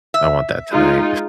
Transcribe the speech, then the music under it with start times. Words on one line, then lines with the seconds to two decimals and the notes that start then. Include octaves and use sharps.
I want that tonight
0.14 E5
0.71 G#3 D#4 F4